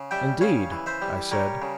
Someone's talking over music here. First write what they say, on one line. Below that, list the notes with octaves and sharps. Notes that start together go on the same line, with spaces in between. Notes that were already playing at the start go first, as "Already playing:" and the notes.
"Indeed," I said.
Already playing: C#3
G3 E5 G5
C#3 C#5 F5
E3
C5 E5
G3
G3 A#4 C#5
C#3